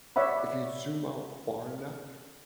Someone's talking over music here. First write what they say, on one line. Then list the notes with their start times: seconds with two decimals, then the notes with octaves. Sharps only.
If you zoom out far enough,
0.16 C#5 D5 E5 F#5 B5